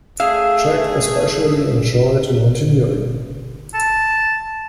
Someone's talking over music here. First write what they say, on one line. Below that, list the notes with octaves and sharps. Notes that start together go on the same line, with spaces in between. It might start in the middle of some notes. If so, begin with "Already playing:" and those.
Jack especially enjoyed mountaineering.
A3 G#4 E5 F5
A5